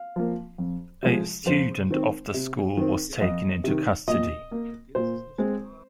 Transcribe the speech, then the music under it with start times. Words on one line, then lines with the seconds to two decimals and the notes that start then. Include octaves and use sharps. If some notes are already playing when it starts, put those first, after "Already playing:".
A student of the school was taken into custody.
Already playing: F5
0.16 F3 A#3
0.58 F2
1.02 C3 F3 G#3
1.46 F2 C5
1.90 D#3 C4
2.34 C3
2.77 D#3 C4
3.21 F2 D#5
3.64 C3 D#3
4.08 A#2 D#5
4.51 A#3
4.95 A#2 C5
5.38 G#3 C4